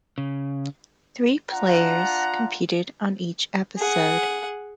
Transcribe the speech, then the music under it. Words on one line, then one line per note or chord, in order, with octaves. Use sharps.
Three players competed on each episode.
C#3
D4 F4 F#5 A#5
G#4 F#5